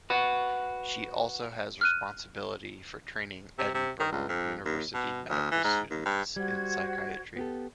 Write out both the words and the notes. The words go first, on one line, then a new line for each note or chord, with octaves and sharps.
She also has responsibility for training Edinburgh University medical students in psychiatry.
F#4 B4
F6 F#6 D#7
C3
C3
D#3
C#2
F2
D#2
B2
D2
E3
G#2
D#2
G2
G3 F#4 C5 G#6
B3 G4 A4